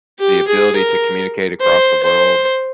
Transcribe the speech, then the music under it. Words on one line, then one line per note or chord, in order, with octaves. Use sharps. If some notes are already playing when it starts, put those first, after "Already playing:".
The ability to communicate across the world,
G4
G#4
A#4
C5
C5